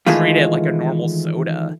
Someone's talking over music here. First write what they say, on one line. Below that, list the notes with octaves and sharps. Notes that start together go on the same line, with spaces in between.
treat it like a normal soda.
D#3 E3 G#3 A3 F4